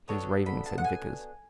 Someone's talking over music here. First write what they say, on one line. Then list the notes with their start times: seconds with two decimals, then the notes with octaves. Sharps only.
"He's raving," said Vickers.
0.08 B3 D4 F#4 A4 C#5
0.46 B5
0.66 A5
0.78 F#5
0.84 G#5